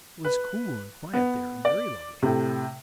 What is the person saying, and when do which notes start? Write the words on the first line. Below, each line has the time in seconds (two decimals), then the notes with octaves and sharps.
It was cool and quiet there, and very lovely.
0.25 B4
1.13 B3
1.65 D5
2.23 A2 C3